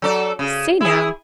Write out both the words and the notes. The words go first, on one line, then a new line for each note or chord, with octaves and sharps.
"Say, now."
F#3 A4 D5
C#3
E4 G#4